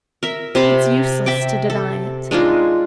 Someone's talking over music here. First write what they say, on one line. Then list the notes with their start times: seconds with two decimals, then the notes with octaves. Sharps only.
It's useless to deny it.
0.23 A#4 E5
0.55 C3 C5 A5 B5
1.26 E5 G5 D6
1.70 A4
2.31 G#3 D4 D#4 F4